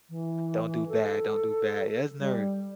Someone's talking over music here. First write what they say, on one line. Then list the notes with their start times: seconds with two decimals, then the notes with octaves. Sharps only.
don't do bad, don't do bad." It's nerve
0.09 E3
0.88 A4
2.19 G3